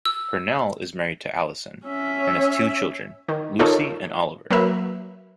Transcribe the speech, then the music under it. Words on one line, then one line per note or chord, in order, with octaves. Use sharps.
Purnell is married to Alison and has two children, Lucy and Oliver.
E6
C#4 E5
D#3
D#4 F4 A4 A#4 C#5
F#3 A#3 B4 E5